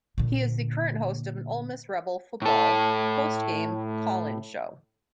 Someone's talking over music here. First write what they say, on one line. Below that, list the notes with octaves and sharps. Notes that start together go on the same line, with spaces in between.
He is the current host of an Ole Miss Rebel football post-game call-in show.
A#2 D3
A2 A4